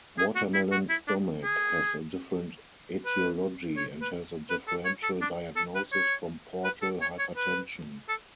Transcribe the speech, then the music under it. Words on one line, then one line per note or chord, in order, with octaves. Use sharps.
Watermelon stomach has a different etiology and has a differential diagnosis from portal hypertension.
G#4
F#4
E4
F#4
E4
D4
G#4
B4
C#5
B4
B4
A4
C#5
A4
D4
A4
B4
C#5
B4
A4
C#5
C#5
B4
A4